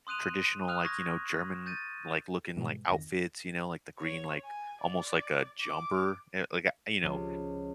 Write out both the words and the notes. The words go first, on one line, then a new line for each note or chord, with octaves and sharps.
traditional, like, you know, German, like, looking, like, outfits, you know, like, the green, like, almost like a jumper, y like a you know
C6 D#6 F#6 D#7 F7
D#6 F6 F#6 F7
C#6 D#6 G#6 A#6
G6 A6 D#7
G#2 B2 E3 G3 G#3
F2 D#3 A#6
C#5
G#5
D5
D6
C#2 F3